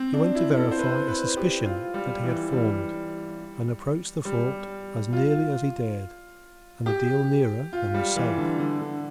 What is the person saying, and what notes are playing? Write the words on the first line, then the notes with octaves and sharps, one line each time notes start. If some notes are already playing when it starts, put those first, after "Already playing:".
He went to verify a suspicion that he had formed, and approached the fort as nearly as he dared and a deal nearer than was safe.
Already playing: C4
D4
E4
A4
C5
B4
B4
G4
F4
G3
E3
G3
G3
F4
G4
F4
G3
E3
D3
D3
D3